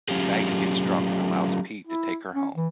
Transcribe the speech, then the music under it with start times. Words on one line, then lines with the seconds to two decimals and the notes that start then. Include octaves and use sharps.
Maggie gets drunk and allows Pete to take her home.
0.08 F#3 A3 C#4 F4 G4 G#4
1.87 E4
2.35 C#4
2.56 E3